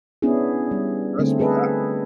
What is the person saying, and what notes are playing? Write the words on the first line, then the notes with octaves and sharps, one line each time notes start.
Trust me. I
B3 C#4 D4 E4 G#4
G3
D3 A3 C4
G#4 A4 B4 D#5